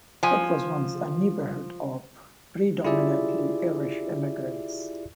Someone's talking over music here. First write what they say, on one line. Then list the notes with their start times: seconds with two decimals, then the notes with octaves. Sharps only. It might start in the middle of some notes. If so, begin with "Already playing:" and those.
It was once a neighborhood of predominately Irish immigrants.
0.23 F3 G#5
2.85 E4 F4 G4 G#4 D5 E5